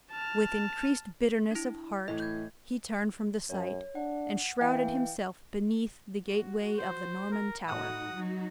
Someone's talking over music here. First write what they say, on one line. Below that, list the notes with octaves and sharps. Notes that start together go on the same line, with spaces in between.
With increased bitterness of heart, he turned from the sight, and shrouded himself beneath the gateway of the Norman Tower.
A5 F6
D4 E4
A2 E3 D#5
G6 G#6
F#2 C#5
D4 F#5
E3 D#5 F5 G5
F#4
C5
A#4
A2 D#4 F#4 F#5 D#6
F#3 D#4 F#4